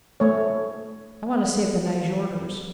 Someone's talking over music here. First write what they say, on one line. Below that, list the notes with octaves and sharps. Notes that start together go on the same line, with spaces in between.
I want to save the Nyjorders.
A3 C#5